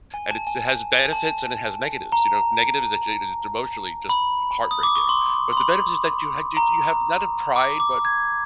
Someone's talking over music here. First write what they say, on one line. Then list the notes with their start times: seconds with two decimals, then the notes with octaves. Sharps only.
and it's it has benefits, and it has negatives, you know, negative is a change that it's emotionally just heartbreaking, but the benefit is that you had you you have not a pride, but
0.14 G#5
0.31 A5
0.47 G#5
1.13 A5
2.12 A#5
4.09 B5
4.71 D#6
4.83 D6
4.96 C#6
5.09 C6
5.53 C6
5.57 B5
6.57 A#5
7.56 D6
7.80 D6
8.05 G#6